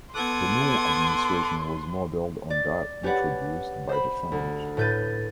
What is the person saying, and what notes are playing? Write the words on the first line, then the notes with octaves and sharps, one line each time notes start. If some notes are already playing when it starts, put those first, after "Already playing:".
The new administration was modelled on that introduced by the French.
B3 A4 C6 D6 D#6 F#6 G#6
D5
C#4 G4 B4 C#5 D5 F#5
C5 B5
D2
A2 B4 G6 A6 D#7